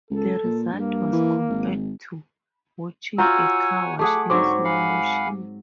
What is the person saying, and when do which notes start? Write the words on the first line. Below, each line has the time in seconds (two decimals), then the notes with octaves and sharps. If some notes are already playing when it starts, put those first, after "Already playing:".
The result was compared to "watching a car crash in slow motion".
0.11 C#2 A4
0.44 A#2
0.73 G2 A#3
1.13 E3
1.50 G#1
3.18 F4 F#4 C#5 F#5 G#5 A#5 E6 G6
3.99 A3 G#4 F#5 A5 D6
4.30 G#2 D3 F#3 C4 C#6 D6
4.65 F5 F#5 G#5 B5